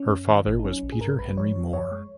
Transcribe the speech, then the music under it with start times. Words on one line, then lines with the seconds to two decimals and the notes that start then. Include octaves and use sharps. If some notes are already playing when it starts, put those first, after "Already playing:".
Her father was Peter Henry Moore.
Already playing: C#4
0.10 F#2
0.29 D#3
0.47 G#1
0.59 D#4
0.64 F#3 C#4
0.83 A#1
0.92 G#4
1.01 G#2 A#4
1.19 A#1 B4
1.37 F3 C#5
1.56 F3
1.73 F#2 C#5
1.91 G#3